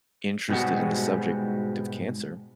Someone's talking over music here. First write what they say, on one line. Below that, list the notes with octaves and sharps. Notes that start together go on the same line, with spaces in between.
interested in the subject of cancer.
G#2 B2 G3 G#3 F#4 F#5